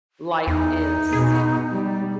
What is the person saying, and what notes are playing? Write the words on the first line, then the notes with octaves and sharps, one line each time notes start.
life is
E2 D#4
B2 G#4
G3